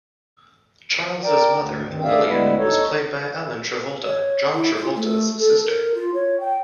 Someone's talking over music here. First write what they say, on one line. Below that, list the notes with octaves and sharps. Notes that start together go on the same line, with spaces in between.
Charles' mother, Lillian, was played by Ellen Travolta, John Travolta's sister.
A#4 D5 G5
D2
G2 D#3 C4
A3 D4 G#4 D5 E5 F5
D2 G3 G#3 B3 E4 B4
D#4 A4 C#5
C#5
E4
F4
A3
A4
A#4
F4
C#5
G5